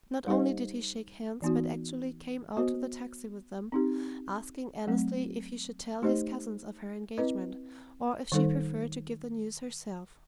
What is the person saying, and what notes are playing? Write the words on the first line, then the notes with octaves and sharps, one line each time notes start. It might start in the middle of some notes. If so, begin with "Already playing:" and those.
Not only did he shake hands, but actually came out to the taxi with them, asking Annesley if he should tell his cousins of her engagement, or if she preferred to give the news herself?
G3 D#4 G4 C5 D#5
E3 B3 D#4 F#4
B3 F#4 C5 D#5
C4 D#4 G4
F#3 A3 C4
A3 D#4 G4 C5 D#5
C4 E4 B4 D#5
D#3 G3 D#4 A4 C5